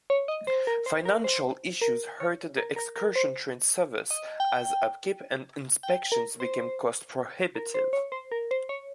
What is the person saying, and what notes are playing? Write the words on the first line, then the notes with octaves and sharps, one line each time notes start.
Financial issues hurt the excursion train service, as upkeep and inspections became cost prohibitive.
C#5
D#5
C5
A#4
C5
A#4
C5
A#4
C#5
A#4
A#4
A#4
C5
D#5
G5
G5
A#4
C5
A#4
C5
C#5
C5
A#4
C5
C#5